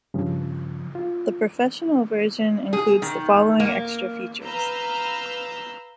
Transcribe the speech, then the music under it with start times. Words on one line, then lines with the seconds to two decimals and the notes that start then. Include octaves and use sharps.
The professional version includes the following extra features.
0.14 G2 C#3 F3
0.95 F4
2.73 G#4
3.02 D#3
3.60 A#3
4.44 B4 F5 A#5 E6 F6 G6